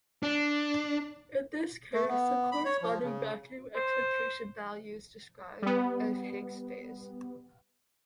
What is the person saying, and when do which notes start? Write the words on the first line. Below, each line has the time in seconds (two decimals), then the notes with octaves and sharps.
In this case, the corresponding vacuum expectation values describe a Higgs phase.
0.23 D4
1.94 A3
2.08 B3
2.52 B5
2.65 C#5
2.82 F3
3.03 C#3
3.76 C5
5.62 G3 B3